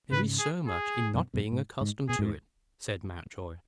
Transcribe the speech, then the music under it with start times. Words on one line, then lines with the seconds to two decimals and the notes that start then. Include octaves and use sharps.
"There is so much in not being accustomed to it," said Mountjoy.
0.11 G#2 C#3 B4
0.39 G#4
0.68 G#4
1.14 F#2 B2
1.34 F#2 B2
1.52 G#2
1.81 G#2
2.09 B2 G#4
2.19 G#2